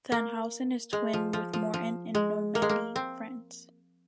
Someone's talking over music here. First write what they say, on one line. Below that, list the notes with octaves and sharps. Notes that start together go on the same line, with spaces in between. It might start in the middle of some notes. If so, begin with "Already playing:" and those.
Thannhausen is twinned with Mortain, in Normandy, France.
A#3
G#3
F3
F3
F3
F3
G#3
A#3
G#3
A#3
C4